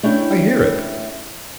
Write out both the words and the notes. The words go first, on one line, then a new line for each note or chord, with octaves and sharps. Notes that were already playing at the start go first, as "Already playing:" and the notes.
I hear it.
A3 C#4 D4 E4 C#5 G5